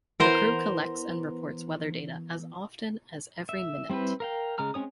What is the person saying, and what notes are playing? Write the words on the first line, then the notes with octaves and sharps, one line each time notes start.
The crew collects and reports weather data as often as every minute.
E3 B3 A#4 C5 A#5
E5
G3 C4 E4 G4 B4
A#4 F5 G5
C#3 G#3 A#5 F6
G#3 C4 C#4 C#5 D#6